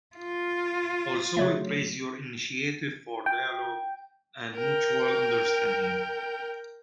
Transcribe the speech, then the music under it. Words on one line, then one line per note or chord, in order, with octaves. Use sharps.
Also we praise your initiative for dialogue and mutual understanding.
F4
C#3 F#3 A3
G5
A#4 G5